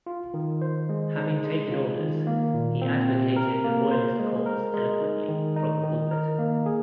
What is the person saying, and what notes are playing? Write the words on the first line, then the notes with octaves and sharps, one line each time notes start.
Having taken orders, he advocated the Royalist cause eloquently from the pulpit.
F4
D#3
C5
G#3
D#4
G#3
F4
D#3
A#3
A#2
C4
C3
A#4
A#3
C5
G#3
A#4
G#3
D#4
D#3
D#4
D#3
A#4
A#3
G#4